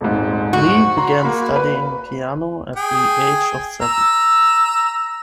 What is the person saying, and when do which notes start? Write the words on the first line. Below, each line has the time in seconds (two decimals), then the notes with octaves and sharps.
Li began studying piano at the age of seven.
0.01 D#1 G#1 G#2
0.53 F#4
0.97 A#5 C6
1.23 A#3 B5
1.56 B4
2.76 G#4 G5
3.82 A#5 E6